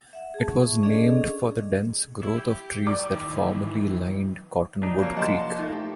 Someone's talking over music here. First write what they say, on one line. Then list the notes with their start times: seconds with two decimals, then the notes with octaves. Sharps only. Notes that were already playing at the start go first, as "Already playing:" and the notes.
It was named for the dense growth of trees that formerly lined Cottonwood Creek.
0.13 E5 F#5
0.34 G#4 A5
0.52 C#6
0.83 C#4 D4 G#4 A4 D5 D#5
2.23 E4
2.38 G4
2.87 D5 G5 D6
3.10 D#3 E3
4.83 D4 D#4
4.99 C3 F3 F#3 A#3 D5
5.17 D#5 F#5 A5 C6
5.58 A3 D#4 A4 E5
5.72 G4